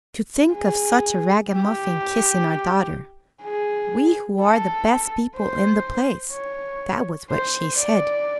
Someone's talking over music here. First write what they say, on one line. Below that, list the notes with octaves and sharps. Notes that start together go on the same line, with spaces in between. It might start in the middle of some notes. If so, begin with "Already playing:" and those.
"To think of such a ragamuffin kissing our daughter--we who are the best people in the place!" That was what she said.
G#4
G4
G#4
A4
C5
C#5
C5
D5